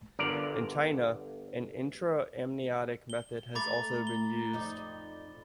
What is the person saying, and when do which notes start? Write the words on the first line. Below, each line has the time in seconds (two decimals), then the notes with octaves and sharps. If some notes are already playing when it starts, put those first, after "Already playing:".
In China, an intra-amniotic method has also been used.
0.19 G1 D3 A#4 D5
3.10 G7
3.55 A3 A#5 B5 D6 A6
4.07 G7
4.53 F2 D#4 D5